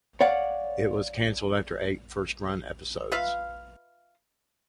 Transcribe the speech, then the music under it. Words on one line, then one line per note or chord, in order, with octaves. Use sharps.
It was canceled after eight first-run episodes.
C#5 D5 F5 F#5
F4 B4 E5 F5